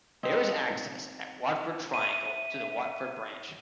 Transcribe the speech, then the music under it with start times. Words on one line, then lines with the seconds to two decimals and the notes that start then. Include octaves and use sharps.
There is access at Watford triangle to the Watford branch.
0.23 C4 D#4
1.94 E5 D#7